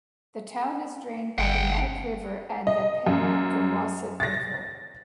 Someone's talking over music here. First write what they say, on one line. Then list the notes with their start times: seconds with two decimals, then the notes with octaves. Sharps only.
The town is drained by the Mad River and Pemigewasset River.
1.38 G1 F#5 G5
2.67 D#5
3.07 F#2
4.20 A6 A#6